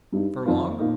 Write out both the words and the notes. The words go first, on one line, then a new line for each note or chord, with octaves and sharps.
"For long?"
G2 G3 D#4
F2 D#3 C4 F4
A#2 A#3 D#4